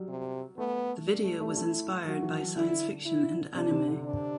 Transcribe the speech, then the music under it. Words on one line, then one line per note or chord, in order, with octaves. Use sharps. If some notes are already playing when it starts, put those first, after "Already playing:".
The video was inspired by science fiction and anime.
Already playing: F#3 G3
C3
A3 B3
G3
A3
A3
G3
A3 E4
F#3 F#4
E3
F#3
D3 E4
E4
C3 D4
C3
D3
D4